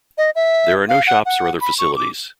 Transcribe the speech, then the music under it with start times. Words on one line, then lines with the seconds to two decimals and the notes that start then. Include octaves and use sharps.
There are no shops or other facilities.
0.18 D#5
0.35 E5
0.89 F5
1.07 F#5
1.26 F#5
1.61 B5
1.79 C#6
1.97 D6